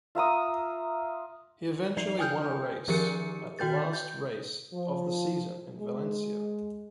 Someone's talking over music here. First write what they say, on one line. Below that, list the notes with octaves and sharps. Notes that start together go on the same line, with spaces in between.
He eventually won a race at the last race of the season in Valencia.
F4 E5 A#5 D#6
F3 D5 C7 F7
G5 G#5 D#6 F6 G6
D#3 F3 G4 G#4 A#4 C#7
D#3 F#4 G5 G6 A6
G6
F3
G#3